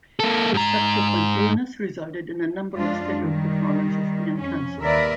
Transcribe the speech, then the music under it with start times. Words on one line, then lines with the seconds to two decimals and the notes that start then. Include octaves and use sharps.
His subsequent illness resulted in a number of scheduled performances being cancelled.
0.20 A#3 A4
0.54 G#2 A#5
2.76 F#2 F3 G#3 D4 F4
3.24 D#3 G3
4.40 F2 C#4
4.82 D#2 A#4 B4 D5 E5